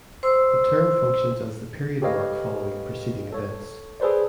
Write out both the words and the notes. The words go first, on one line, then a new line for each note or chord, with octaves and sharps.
The term functions as the period mark following preceding events.
C5 C6 E6
G4 A4 B4 C#5 D#5 F5
A4 C#5
G#4 A4 B4 C5 D5